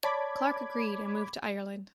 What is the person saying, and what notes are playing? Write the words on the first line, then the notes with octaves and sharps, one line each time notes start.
Clarke agreed and moved to Ireland.
C#5 D5 A5 B5 D6 G#6